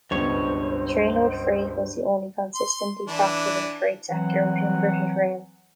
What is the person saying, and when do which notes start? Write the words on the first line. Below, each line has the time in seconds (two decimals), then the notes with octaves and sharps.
Trainload Freight was the only consistently profitable freight sector within British Rail.
0.11 C#2 G2 B2 C5 C#5
2.55 C6
3.08 E3 D4
4.10 E3 F#3 C4 F#5